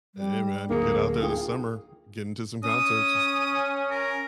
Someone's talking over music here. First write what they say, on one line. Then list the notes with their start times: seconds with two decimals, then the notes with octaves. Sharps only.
H hey, man, get out there this summer. Get into some concerts.
0.15 G3
0.70 D1 A#3 G#4 A#4 C#7
1.22 F4 G#4 F5 G5
2.64 C#4 D#6
3.91 A#4